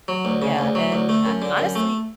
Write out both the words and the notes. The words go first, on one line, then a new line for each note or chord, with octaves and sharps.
Yeah, and, h honestly,
F#3
D2
C#3
D2
F#3
D2
A3
F#2
D3
F#2
A3